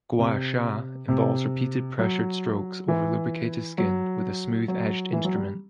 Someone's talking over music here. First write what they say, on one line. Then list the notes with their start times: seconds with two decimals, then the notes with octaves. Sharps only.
"Gua sha" involves repeated pressured strokes over lubricated skin with a smooth edged instrument.
0.19 C3
1.09 C3
1.99 F#3
2.88 E3
3.78 F#3
4.68 F#3
5.13 E3
5.24 F#3
5.36 G3